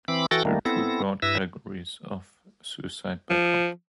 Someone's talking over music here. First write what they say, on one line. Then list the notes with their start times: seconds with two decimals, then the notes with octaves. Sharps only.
There are two broad categories of "suicide by cop".
0.08 E3 C4 B5 D6
0.31 E3 F#4 A4 G5 A6 A#6
0.45 D#3 G3 A3 A#3
0.65 B3 C4 E4 A4 A#6
1.22 G2 E4 B4 E5 E6 A#6
3.30 F3